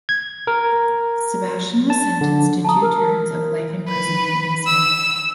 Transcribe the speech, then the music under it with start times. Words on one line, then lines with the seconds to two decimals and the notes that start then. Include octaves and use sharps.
Sebastian was sentenced to two terms of life imprisonment instead.
0.09 G#6
0.47 A#4
1.90 A5
2.21 D3
2.65 A5 A#5 D#6
2.82 A#4 F6
3.88 B4
4.67 E6